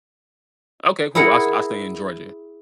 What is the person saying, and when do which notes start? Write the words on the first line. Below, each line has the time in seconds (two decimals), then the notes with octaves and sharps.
okay, cool I I stay in Georgia.
1.15 E4 G#4 A#4 F#5